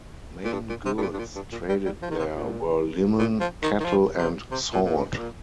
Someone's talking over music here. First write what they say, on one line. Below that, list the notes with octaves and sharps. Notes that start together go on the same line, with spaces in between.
Main goods traded there were linen, cattle and salt.
A#2
G2
A#2
C3
G2
A#2
G2
A#2
G2
A#2
G3
G3
F3
D#3
C3
A#2
A#2
F3
D#3
D#3
F3
C3
C3
A#2
A#2
G2
G2
A#2